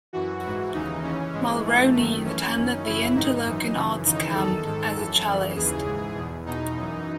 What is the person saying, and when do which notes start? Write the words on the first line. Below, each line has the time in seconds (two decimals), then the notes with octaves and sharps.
Mulroney attended the Interlochen Arts Camp as a cellist.
0.13 F#2 E3 F#4
0.43 G#2 E3
0.74 D#2 C#3 E3 D#4
1.03 D#2 C#3 E3 C#4
1.33 G#2 E3 G#3
1.64 G#2 E3 A3
1.94 F#2 D#3 A3
2.24 F#2 E3 C#4
2.54 F#2 D#3
2.84 F#2 C#3 E3 E4
3.14 G#2 D#3 D#4
3.44 F#2 E3
3.75 F#2 C#3 E3
4.05 D#2 C#3 E3 D#4
4.35 E2 D#3 A4
4.65 G#2 D#3
4.95 F#2 E3
5.26 F#2 C#3 E3
5.56 D#2 C#3 E3 G#4
5.85 G#2 E3
6.15 E2 B2
6.46 E2 B2 D#4
6.76 F#2 E3